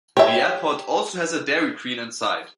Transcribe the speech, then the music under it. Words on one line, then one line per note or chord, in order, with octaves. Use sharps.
The airport also has a Dairy Queen inside.
G4 C#5 E5